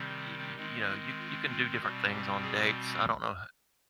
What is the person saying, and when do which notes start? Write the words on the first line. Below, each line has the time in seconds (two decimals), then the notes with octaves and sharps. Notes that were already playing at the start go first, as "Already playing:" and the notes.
y y y you know, you c you can do different things on dates, I don't know i
Already playing: C3 D#3 G3 C4
0.25 E4
0.55 D#3 G#3 C4 D#4
0.87 E4
1.19 F4
1.49 F4
1.80 B2 G3 C4 F#4
2.11 G4
2.42 G#4